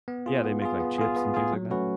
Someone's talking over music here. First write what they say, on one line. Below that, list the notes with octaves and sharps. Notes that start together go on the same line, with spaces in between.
Yeah, they make, like, chips and things like that.
B3
F4 G#4
B3
F4 G#4
B3
F4 G#4
B3
F4 G#4
F#3
A3 C#4 F#4 B4